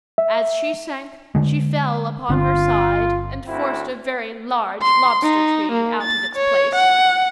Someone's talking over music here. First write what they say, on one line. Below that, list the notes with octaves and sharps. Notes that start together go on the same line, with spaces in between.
As she sank she fell upon her side, and forced a very large lobster-tree out of its place.
E5
D3 G#3
G1 D3 C4 F4
D2 C4 E4
C6
D#4
A#3
A6
C#5
F#5